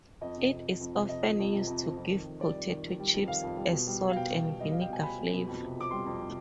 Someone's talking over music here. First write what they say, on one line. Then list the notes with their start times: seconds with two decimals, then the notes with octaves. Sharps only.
It is often used to give potato chips a salt and vinegar flavor.
0.21 F2 D#5
0.37 C3
0.51 F2
0.66 F3
0.81 F2
0.95 C3
1.09 F2 D#5
1.24 F3
1.39 F2
1.53 C3
1.67 F2
1.83 F3
1.97 F2
2.12 D#3
2.26 F2
2.41 G3 D5
2.55 F2
2.70 D#3
2.84 F2
2.99 G3
3.14 F2
3.28 D#3 F5
3.43 F2
3.57 G3
3.72 B2
3.87 G3
4.01 G3
4.10 F5
4.16 B2 G5
4.30 B2
4.45 G3
4.60 G3 D#5
4.71 B2 F5
4.81 G5
4.89 B2 G#5
5.03 G3 B5
5.18 G3
5.33 B2
5.47 F2
5.62 C3
5.77 F2 D6
5.91 G3 C6
6.06 F2
6.21 C3